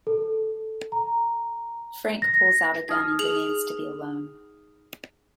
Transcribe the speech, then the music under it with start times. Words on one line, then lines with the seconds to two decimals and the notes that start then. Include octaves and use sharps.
Frank pulls out a gun and demands to be alone.
0.07 A4
0.92 A#5
2.22 A#6
2.89 D#4 D#6 F6
3.19 G#4 F7 F#7